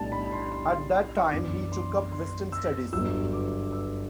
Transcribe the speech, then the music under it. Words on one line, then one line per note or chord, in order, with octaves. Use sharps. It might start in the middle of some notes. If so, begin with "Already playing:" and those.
At that time he took up Western studies.
Already playing: B1 A2 G3 D4 A5
B5
C6
C6
F#2 E3 B3 D4 D6
C6
C6
E6
G1 G2 F#3 E6
D6
E6